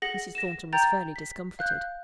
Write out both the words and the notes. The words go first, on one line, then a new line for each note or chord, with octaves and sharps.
Mrs. Thornton was fairly discomfited.
G#4 F#5 A#6 F#7
A#6 E7
G5 A#5 G6 A6
B6
F5 F#6 G6